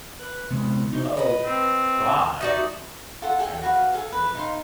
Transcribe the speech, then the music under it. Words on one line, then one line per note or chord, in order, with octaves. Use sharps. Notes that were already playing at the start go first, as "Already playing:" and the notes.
"Oh, God, I hope not!" Harrington exclaimed.
B4
C3 G#3 B3
D#4 F#4 C5 D#5
B4 D#5
C4
A3 D#4 F#4 D5
F4 A4 F#5
G#4 A4 G5
F#4 B4 F5
G#4 A4 F5
B4
D#4 F5 C6